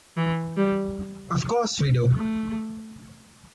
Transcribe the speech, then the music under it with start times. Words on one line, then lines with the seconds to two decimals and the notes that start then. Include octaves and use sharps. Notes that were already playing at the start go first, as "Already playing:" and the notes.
Of course we do.
0.17 E3
0.57 G3
2.17 A3